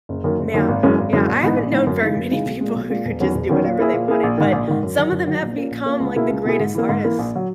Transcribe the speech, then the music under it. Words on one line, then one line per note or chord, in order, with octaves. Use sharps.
Yeah. Yeah, I haven't known very many people who could just do whatever they wanted, but some of them have become, like, the greatest artists
F#1
F#2 D#3 A#3
F#1
F#2 D#3 A#3
G#1
F#2 E3 G#3 C#4
G#1
F#2 E3 G#3 C#4
A#1
G#2 E3 B3 D#4
A#1
G#2 E3 B3 D#4
F#2
C#3 E3 G#3 D#4
F#2
C#3 E3 G#3 D#4
B1
A#2 G#3
B1
A#2 G#3
E1
E2 D#3 F#3 C#4
E1
E2 D#3 F#3 C#4
A#2
A#3 E4 G#4
A#2
A#3 E4 G#4
A#1
G#2 D#3
A#1
G#2 D#3
F#2
D#3 F#3
F#2
D#3 F#3
A#1
A#2 A#3 C#4
A#1
A#2 A#3 C#4
C#2
B2 A#3 E4 G#4
C#2
B2 A#3 E4 G#4
G#2
E3 A#3
G#2
E3 A#3
A#1
F#3